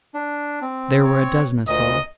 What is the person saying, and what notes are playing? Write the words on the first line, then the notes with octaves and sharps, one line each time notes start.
There were a dozen assaults.
D4
C4
C#5
D2 A#2 D#5 D#6